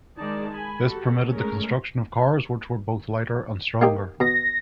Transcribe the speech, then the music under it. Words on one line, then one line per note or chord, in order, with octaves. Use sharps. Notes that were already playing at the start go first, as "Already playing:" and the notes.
This permitted the construction of cars which were both lighter and stronger.
D#3 G#3 D#4 D5 A5
G#5 B5
F#4 G4 A4
G#3 A3 C#4 A#4
A#3 D#4 G4
B2 A#5 A#6